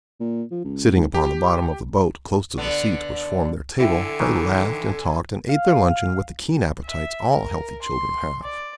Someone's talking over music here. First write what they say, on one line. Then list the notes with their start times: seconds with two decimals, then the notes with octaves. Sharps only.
Sitting upon the bottom of the boat, close to the seat which formed their table, they laughed and talked and ate their luncheon with the keen appetites all healthy children have.
0.20 A#2
0.51 F3
0.64 C#2
0.96 G#2
1.14 G4
2.58 D3 B3
3.79 D3 E4 A4 E5 G5 G#5
4.20 D#3 E3
5.49 F5
6.85 E5
7.32 A#4
7.82 C6
8.43 D5